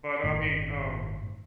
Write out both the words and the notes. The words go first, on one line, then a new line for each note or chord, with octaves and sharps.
but, I mean, um
G1 A2 D#3